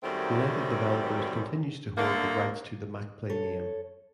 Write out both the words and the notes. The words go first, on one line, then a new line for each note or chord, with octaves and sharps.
United Developers continues to hold the rights to the MacPlay name.
F#2 D#3 F#3 G3 A3 C4
D2 D3 A3 A#3
A4 C#5